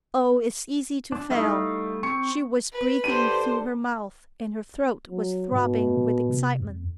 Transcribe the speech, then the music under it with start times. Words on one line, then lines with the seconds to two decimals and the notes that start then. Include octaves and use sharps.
"Oh, it's easy to fail!" She was breathing through her mouth and her throat was throbbing with excitement.
1.12 D4
1.31 G3 A3 D#4 E4 F5
2.03 C4 C#6 C#7
2.73 B4
3.04 D3 G4 C5 D#7
5.10 F#3
5.51 G#2 B2
5.97 A#2
6.29 C3
6.60 F2